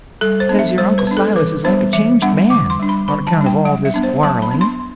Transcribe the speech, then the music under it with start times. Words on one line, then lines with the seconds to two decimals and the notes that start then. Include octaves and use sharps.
Says your uncle Silas is like a changed man, on account of all this quarreling.
0.21 G3 A4
0.40 C5
0.49 B3 D4
0.59 E5
0.78 G3 C5
0.98 B4
1.07 B3 D4
1.17 A4
1.36 E3 B4
1.64 G3 B3 D4 C5
1.93 E3 E5
2.22 G3 B3 D4 F#5
2.50 D3 D6
2.70 C6
2.79 G3 D4
2.89 B5
3.08 D3 B5
3.27 A5
3.36 G3 D4
3.46 G5
3.65 F#3 F#5
3.85 E5
3.94 B3 D4
4.03 C5
4.23 F#3 A5
4.42 B5
4.51 B3 D4
4.61 C6